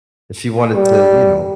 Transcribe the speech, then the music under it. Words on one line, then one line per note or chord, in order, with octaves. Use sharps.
if you wanted to, you know
G3